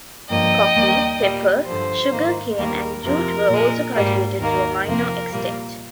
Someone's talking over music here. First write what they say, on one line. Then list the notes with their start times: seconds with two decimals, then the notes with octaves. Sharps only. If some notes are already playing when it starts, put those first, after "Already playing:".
Coffee, pepper, sugarcane and jute were also cultivated to a minor extent.
0.29 G2 F3 A#3 D#5 G5
0.76 D#2 D#3 G3 A#3
1.20 A#2 G3 A#3
1.66 G2 D3 F3 C5
2.12 G#2 D#3 A#3
2.57 D#2 D#3 G3 A#3 A#4
3.03 F2 C3 F3 A#4
3.49 A#2 G#3
3.94 G#2 G3 A#3
4.39 D#2 D#3 A#3 A#4
4.85 F2 C3 F3 A#3 A#4
5.31 A#2 G3 A#3